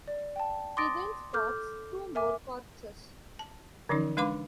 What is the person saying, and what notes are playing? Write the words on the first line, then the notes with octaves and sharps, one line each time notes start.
He then spots two more corpses.
D5
G5 A5
C6 D6 D#6 A6 A#6 D7
A4 D6 F6 G6
A#4 E5 G#5 D6
A5
D3 E3 F3 C#4 D#4
G#3 D4 B4 F5 B5 D6